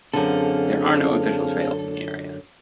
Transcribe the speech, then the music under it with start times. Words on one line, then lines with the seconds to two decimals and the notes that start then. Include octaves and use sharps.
There are no official trails in the area.
0.13 F#2 D3 C4 G#4 A4 F5